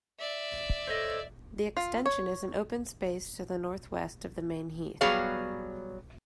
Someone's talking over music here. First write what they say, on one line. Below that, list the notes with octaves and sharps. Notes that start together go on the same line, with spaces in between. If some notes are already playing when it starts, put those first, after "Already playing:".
The Extension is an open space to the north-west of the main heath.
D5 E5
A4 C5 C#5 D#5
F4
C#5
F#3 G3 B3 G#4 C#5 F5